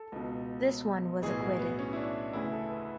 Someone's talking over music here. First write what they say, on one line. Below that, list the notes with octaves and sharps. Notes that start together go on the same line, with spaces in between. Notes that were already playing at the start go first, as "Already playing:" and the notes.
This one was acquitted.
Already playing: A4
C#2 B2
B1 A2 E3 G#4
F#4
B3
C#4
E4
D4
D2 C#3 E3 E4
A4
B4
B4